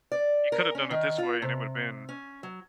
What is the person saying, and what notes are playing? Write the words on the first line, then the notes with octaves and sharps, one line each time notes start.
You coulda done it this way, and it would’ve been"
D5
A#4
C#4
D#3
F4
C3
C#4
F#3